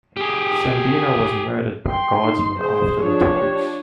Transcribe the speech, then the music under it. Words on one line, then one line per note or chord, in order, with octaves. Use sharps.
Sandino was murdered by Guardsmen after the talks.
G4 G#4
G5 C6
D#4
G#4 C5
F3 D4 C#5
G4